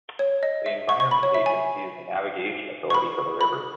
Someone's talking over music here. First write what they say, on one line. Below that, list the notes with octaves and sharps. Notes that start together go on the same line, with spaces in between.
The Environment Agency is the navigation authority for the river.
C#5
D#5
E5
C#6
C#6
B5
C#5
E5
G#5
C#6
B5
B5